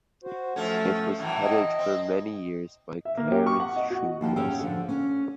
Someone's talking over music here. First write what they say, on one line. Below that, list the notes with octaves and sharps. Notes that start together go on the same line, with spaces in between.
It was headed for many years by Clarence True Wilson.
F#4 C5
F#2 F3 A3 C#4 A4
F#2 A2 E3
D#5
C4
E5
A#3
G4
C#6
F#5
D#5
F#4
D#2 F3 F#5 G5
F#2 C#4 G4 G#4 E5 G5
D3 F3
C#4